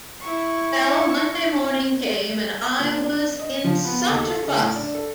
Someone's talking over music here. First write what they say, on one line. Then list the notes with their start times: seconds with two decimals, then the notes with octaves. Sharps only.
Well, Monday morning came, and I was in such a fuss!
0.22 E4 C#6
2.79 A#2
3.05 D4
3.39 D#5
3.64 F3
3.85 B3
4.09 D#2
4.23 A4
4.43 C#3
4.57 A2
4.75 D4
4.94 A4